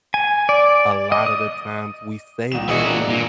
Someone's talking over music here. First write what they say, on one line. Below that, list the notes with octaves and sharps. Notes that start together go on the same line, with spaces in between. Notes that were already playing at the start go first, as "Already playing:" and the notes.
a lot of the times, we say little
G#5
D5
D#5
D#6
C2 D#3 E7
E3 E4 F#4 G#4 D#5
A#3 D4
A#2